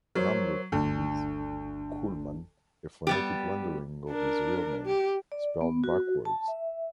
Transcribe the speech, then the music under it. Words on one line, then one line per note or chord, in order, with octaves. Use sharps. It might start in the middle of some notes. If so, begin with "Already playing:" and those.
"Namlook" is "Koolman", a phonetic rendering of his real name, spelled backwards.
F#3 A#4 C5 C#5
G1 D2 D4
G3 B3 G4
D4 A#4
G4
D5
B3
F#4
A5
E5